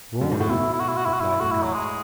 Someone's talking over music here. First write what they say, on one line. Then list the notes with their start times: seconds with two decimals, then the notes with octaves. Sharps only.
"Go on, then," replied the count.
0.21 F#2
0.32 G#2
0.40 A2 F#4
0.49 B2 E4
0.73 E4
0.80 F#4
0.89 E4
0.97 F#4
1.05 E4
1.13 F#4
1.21 E4
1.40 A2 F#4
1.52 E4
1.63 F#3
1.74 G#3